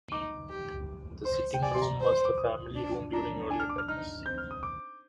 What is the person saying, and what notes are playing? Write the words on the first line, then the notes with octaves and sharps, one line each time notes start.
The Sitting Room was the family room during earlier times.
D#4 D6
G4
C5 C6
G5
D5 G#5
C6
A#5
C5
C6
D6
D#6
D4
D4 A#5
D4 G#5
F6
D6
F6
D#4 F6
C4 G6
F6
D#6
D6